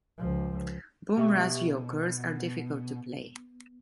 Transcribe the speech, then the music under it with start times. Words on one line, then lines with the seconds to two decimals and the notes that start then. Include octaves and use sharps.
Bumrah's yokers are difficult to play.
0.18 C#2 F3
1.17 B2 G4 E5 C#6
1.89 B3